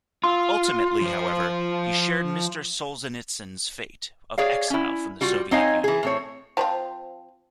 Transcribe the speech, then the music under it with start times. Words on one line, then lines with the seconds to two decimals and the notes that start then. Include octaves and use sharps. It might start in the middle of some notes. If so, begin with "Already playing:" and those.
Ultimately, however, he shared Mr. Solzhenitsyn's fate of exile from the Soviet Union.
0.24 F4 C6
1.01 F3 C5
4.38 G#4 C#5 D5 F5
4.70 C#4 E4
5.21 G3 F4 F#4
5.51 C4 D#4 C#5 D#5 F5 G#5
5.84 E3 G#4
6.03 A2 C4 C#5
6.57 F3 C4 F4